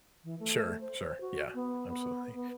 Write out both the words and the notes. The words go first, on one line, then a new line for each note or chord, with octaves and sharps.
Sure, sure, yeah, absolutely.
E3
A3
C5
F#4
B3
B3
B3